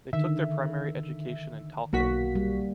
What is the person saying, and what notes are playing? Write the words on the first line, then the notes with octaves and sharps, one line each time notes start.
They took their primary education in Talca.
D3 D#3 E5
B1 A#3 F#4 B6
G3